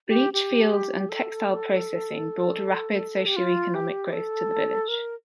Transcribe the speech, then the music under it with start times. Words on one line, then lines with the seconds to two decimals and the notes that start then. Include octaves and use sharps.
Bleachfields and textile processing brought rapid socioeconomic growth to the village.
0.08 G4
0.33 G4
1.09 A4
3.26 G4
3.36 F4
3.74 G4
4.12 A4
4.88 A#4